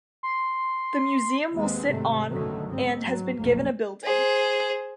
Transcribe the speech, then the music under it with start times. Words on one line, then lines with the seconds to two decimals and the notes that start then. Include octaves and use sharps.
The museum will sit on and has been given a building.
0.23 C6
1.54 D#2 G#3 B3 C4
1.88 G#1 C3 A3
2.28 B1 F#2 D3 D#3 F#3 A3
2.67 G#2 C4
3.05 F#3
3.37 F1 B1 A#3
4.04 G#4 C5